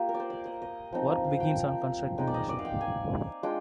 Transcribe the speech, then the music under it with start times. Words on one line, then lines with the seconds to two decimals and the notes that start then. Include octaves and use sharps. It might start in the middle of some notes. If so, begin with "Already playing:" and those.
Work begins on constructing the ship.
Already playing: A#3 F4 G4
0.09 A#4
0.14 D5
0.20 C5
0.30 D5
0.45 D#5
0.62 D#5
0.92 F3 C4 D#4
1.24 F5
1.40 G5
2.18 G#3 D#4 G5
2.27 D5
2.34 D#5
2.49 D5
2.59 F5
2.65 G5
2.81 G#5
3.43 G#3 D4 F4 G5